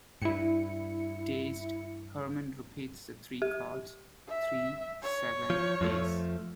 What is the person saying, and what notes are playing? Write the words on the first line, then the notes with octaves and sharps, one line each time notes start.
Dazed, Herman repeats the three cards - three, seven, ace.
G2 E4 C#7
G4
E5
C#5
F3
F2 F3 A3